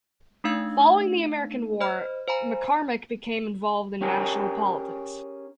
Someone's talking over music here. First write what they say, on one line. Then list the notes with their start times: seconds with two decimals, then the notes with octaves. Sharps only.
Following the American war Macarmick became involved in national politics.
0.44 A3 D4 D#4 F5 E6 G#6
1.81 C5 D#5 B5 F6
2.28 C5 F5 G#5 A#5 B5
4.01 C#4 G4 G#4 A#4